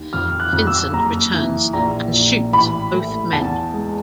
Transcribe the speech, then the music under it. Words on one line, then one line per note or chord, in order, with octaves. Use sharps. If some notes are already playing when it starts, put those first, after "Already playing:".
Vincent returns and shoots both men.
Already playing: D#2
F2 F6
F#6
F2
E6
F#1 A#5
E3
A#1 A#5
A#1
A1 B5
A3
E2 A5
G#3